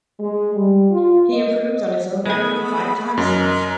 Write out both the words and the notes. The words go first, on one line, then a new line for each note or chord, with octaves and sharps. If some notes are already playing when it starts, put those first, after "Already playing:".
He improved on his own record five times since.
G#3
G3
F4
D#5
G#3 A3 B3 G#5 B5
F#2 A#4 D#5